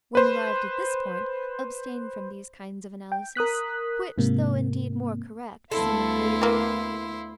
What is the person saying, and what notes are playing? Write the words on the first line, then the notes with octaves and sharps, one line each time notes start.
When arrived at this point, abstain from these kinds of analysis, which though indeed more correct, seem labored.
B4 C5
G5
A#4 D#6 F#6 B6
G#2 C3 A#3
D2 B3 E4 A4 F5 C6
E3 A#3